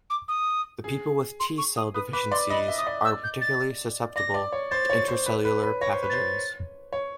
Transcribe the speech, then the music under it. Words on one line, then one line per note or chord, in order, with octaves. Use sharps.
People with T cell deficiencies are particularly susceptible to intracellular pathogens.
D6
D#6
G#4
C6
C#6
D#6
B4 D#6
B4 D6
D5 C6
D#5 B5
E5
D#6
D5
E6
G6
A6
D5 A#6
D5
C#5
C5 A6
C#5
C5
B4
B4
B4
C#5 A#6
C5
B4
C5 A6
C#5